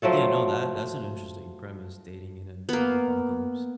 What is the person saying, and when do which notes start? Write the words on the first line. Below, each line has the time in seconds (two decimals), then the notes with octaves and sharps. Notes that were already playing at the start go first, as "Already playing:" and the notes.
Yeah, no, that that's an interesting premise, dating in a in an apocalypse.
0.02 F3 F#3 A3 A4
2.69 A#3 B3